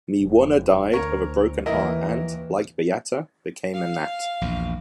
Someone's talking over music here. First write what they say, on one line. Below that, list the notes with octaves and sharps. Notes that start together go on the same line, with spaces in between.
Me Wunna died of a broken heart and, like Byatta, became a nat.
F1
D2 A#4 C#5
D#2 E3 E4 A#4 D#5
F5
A#1 E2